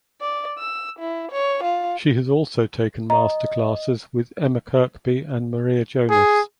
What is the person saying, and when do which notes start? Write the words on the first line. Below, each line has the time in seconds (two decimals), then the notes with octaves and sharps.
She has also taken master classes with Emma Kirkby and Maria Jonas.
0.21 D5
0.59 E6
0.99 E4
1.32 C#5
1.63 F4
3.10 D#5 A#5
6.10 G#4